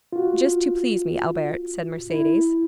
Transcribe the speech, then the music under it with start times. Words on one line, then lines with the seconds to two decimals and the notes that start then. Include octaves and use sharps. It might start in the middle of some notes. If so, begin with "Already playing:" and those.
"Just to please me, Albert," said Mercedes.
0.13 F4 F#4
2.10 E4